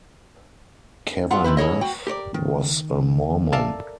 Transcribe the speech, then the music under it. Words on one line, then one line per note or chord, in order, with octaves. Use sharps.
Cavanaugh was a Mormon.
F#3 B3 F4 F#5
D#3 C4 E4 B4
E4 G#4 C#5 D#5
F#4 G5
G4 A#4 C#5 D5
D#3
A4 A#4 D5 E5 F5 A5